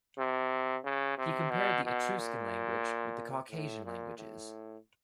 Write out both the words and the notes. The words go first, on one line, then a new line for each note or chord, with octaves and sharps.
He compared the Etruscan language with the Caucasian languages.
C3
C#3
C3
B2
B2
A#2
A2
A#2
A2